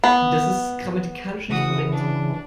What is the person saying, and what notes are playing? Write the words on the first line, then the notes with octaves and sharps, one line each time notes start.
Das ist grammatikalisch nicht korrekt.
B3
C#3 E3 F#4 D#6
D4